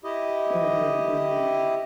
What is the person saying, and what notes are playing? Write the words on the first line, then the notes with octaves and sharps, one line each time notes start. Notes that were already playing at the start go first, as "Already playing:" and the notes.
Mhm, mhm.
E4 G4 D#5